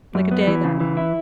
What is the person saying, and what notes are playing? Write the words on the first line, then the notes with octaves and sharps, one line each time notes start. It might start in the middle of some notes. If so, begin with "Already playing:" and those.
like a day that,
F#2
B3
E3
C#3
E3
E4